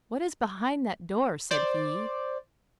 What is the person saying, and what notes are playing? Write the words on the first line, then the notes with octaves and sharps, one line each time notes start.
"What is behind that door?" said he.
C5 D5